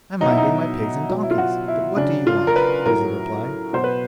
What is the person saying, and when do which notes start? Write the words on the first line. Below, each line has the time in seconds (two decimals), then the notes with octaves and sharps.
'I'm minding my pigs and donkeys; but what do you want?' was the reply.
0.21 B2 F#3 D#4
0.29 E4
0.37 D#4
1.09 B2 F#3
1.23 E4
1.31 F4
1.38 F#4
1.68 E4
1.96 C#3 F#3 D4
2.27 F4
2.47 A#4
2.56 B4
2.86 A2 F#3 A#4
3.73 B2 F#3 C5
3.84 B4